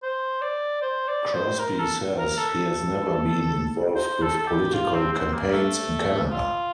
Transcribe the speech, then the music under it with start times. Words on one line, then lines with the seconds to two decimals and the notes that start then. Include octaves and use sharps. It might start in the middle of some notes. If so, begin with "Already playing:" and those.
Crosby says he has never been involved with political campaigns in Canada.
0.03 C5
0.42 D5
0.82 C5
1.08 D5
1.33 C5
1.60 A#4
1.79 A4
2.19 A#4
2.38 A4
3.95 C5
4.22 A4
4.39 A4
4.47 G4
4.74 F4
4.94 C4
5.13 C4
5.33 A#3
5.52 A3
6.31 F4